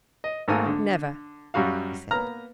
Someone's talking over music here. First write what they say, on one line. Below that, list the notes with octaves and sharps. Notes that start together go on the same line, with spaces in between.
"Never!" he said.
D#5
G#1 G#2 A3 A#3 G#5
D3
F#2 G3 F#4 F5
A#3 B3 A#5 F6